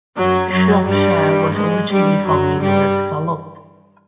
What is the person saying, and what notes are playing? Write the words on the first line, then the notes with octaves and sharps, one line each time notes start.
Shropshire was originally formally known as 'Salop'.
F#2 F#3
F#2 F#3
G2 G3
G#2 G#3
G2 G3
F#2 F#3
G2 G3